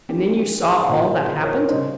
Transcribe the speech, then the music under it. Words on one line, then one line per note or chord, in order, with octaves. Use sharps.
"And then you saw all that happened?"
D#3 A#3 C#4 G4
G#4
G#4 C5
F5
A#2 F3 A#3 C5 D#5
G#4 C5
A#4 C#5
C#3 G3 C#4 C5 D#5